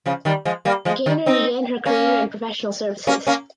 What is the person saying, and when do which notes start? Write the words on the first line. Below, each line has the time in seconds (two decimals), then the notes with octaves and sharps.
Gaynor began her career in professional services.
0.06 C#3 F3
0.25 D#3 G3
0.45 F3 G#3
0.65 G3 A#3
0.85 F3 G#3
1.06 D#3 G3
1.26 C4 D#4
1.86 A#3 C#4
3.07 A#3 C#4
3.27 A#3 C#4